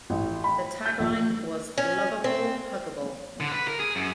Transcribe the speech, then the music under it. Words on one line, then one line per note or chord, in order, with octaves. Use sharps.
The tagline was "Loveable Huggable".
A1
B5
G6
A#1
C#4
C4
D3
B4
A#4
G#4
F#2